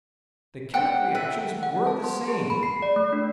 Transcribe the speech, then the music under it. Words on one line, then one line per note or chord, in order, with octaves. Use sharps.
The chemic reactions were the same.
F#5 G5
B4 E5
F#5
A5
C6
G#4
B5
C7
D5
A3
D4